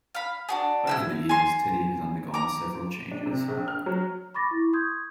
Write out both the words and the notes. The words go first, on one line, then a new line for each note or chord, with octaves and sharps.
Over the years, Teddy has undergone several changes.
F5 B5
D4 F#4 G#4
E4 G4 E6
G#5 C6
A#5 D6
D4
C3
A#1
F6
F#3
B5 C#6 D6 A6 A#6
E4
C6 C#6 D#6 G6 G#6